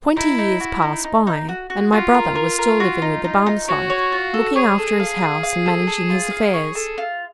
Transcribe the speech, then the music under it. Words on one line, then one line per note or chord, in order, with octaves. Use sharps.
Twenty years passed by, and my brother was still living with the Barmecide, looking after his house, and managing his affairs.
D#4 E4
D#4
F#4
D#4
D#4
D#4
F#4
F#4
F4 F#4
A#4
A#4
A#4
F#4
D#4
D#4
D#4
F#4 C#5
C#5
F4
A4
G#4 C#5
A4
F5
F5
F5
A4
A4
F4
F5
C#5
A4
F4